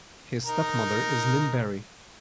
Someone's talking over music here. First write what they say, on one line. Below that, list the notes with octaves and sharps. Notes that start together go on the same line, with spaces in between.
His stepmother is Lynn Barry.
D#4 A#4